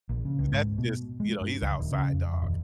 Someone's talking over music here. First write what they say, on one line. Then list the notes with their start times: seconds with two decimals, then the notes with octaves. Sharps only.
That's just you know, he's outside dog.
0.09 A#1
0.25 C#3
0.39 C#2
0.52 G#2
0.78 B2
1.20 G#3
1.41 G2
1.62 C#2
1.79 D#1
1.92 C#3
2.13 F2
2.42 D#1